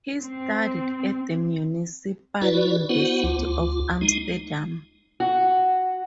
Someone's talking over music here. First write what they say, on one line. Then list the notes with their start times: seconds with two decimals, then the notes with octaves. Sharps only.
He studied at the Municipal University of Amsterdam.
0.20 C4
2.42 E4 F#4 B4 D5
2.89 B3 E4 F#4 C5 F#5
3.23 D2 F4
4.01 G#3 D#4
5.20 F#4